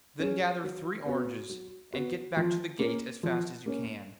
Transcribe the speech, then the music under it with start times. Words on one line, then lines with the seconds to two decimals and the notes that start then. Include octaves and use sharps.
Then gather three oranges, and get back to the gate as fast as you can.
0.19 C#4 G#4
0.64 F#3
1.06 B3 F#4
1.49 F#3
1.93 B3 F#4
2.37 F3
2.79 A#3 C#4
3.23 F3
3.66 A#3 C#4